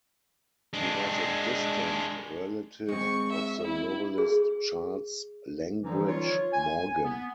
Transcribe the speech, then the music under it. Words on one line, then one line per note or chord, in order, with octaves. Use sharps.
He was a distant relative of the novelist Charles Langbridge Morgan.
G#3 D4
G#3 C4 C#6
E5
E4
G#4
D3 E3 F3 G3 C#4 D#4
F4 C#5
G#5
B3